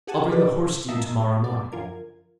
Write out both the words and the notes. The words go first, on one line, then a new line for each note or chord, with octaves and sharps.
I'll bring the horse to you to- morrow morning.'
G4 G#4 F#5 G#5 A5
D#4 G4 B4 D5
A#3 D#4 D#5 E5 A5 A#5
D5
F#2 D3 F3 F4 A#4 G#6